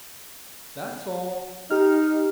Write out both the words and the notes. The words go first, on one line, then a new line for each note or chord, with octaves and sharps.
That's all.'
D#4 G4 F6